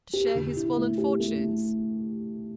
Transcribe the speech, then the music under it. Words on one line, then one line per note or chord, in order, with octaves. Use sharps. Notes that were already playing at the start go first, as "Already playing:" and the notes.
"To share his fallen fortunes?"
G4
D3
E4
A3
G4
A3